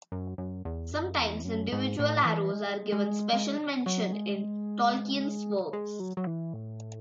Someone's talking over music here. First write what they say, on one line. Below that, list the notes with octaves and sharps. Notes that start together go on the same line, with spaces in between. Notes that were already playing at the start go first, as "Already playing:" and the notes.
Sometimes individual arrows are given special mention in Tolkien's works.
F#2
F#2
E2
F#2
E2
F#2
G#2
A2
E3
G#3
G#3
G#3
F#3
G#3
G#3
F#3
F#3
E3
A2